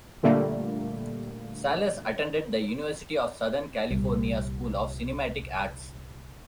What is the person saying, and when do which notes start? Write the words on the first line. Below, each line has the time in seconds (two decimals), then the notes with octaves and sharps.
Salles attended the University of Southern California School of Cinematic Arts.
0.23 A#2 D3 G3 A3 A#3
3.91 C2 A#2